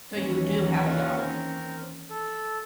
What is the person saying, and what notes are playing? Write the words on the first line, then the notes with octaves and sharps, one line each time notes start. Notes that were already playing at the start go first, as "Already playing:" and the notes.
So you do have a dog?
D#2 E3 C#4
F4 F#5
C4 A#4
A4